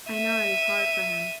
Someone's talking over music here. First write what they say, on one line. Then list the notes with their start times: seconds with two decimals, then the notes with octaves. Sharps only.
I know it is hard for him.
0.11 E5 D#7